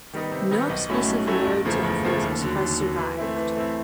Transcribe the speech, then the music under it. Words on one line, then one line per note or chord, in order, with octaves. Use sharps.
No explicit narrative has survived.
D#3 G3 B3 D#4
C3
D#3 G3 B3 D#4
B1
A2 F#3 A3 C#4
B1
A2 F#3 A3 C#4
F#1
E2 C#3 F3 A3
F#1
E2 C#3 F3 A3
D#2
D3 F#3
D#2
D3 F#3
E3
A3 C4 E4
E3
A3 C4 E4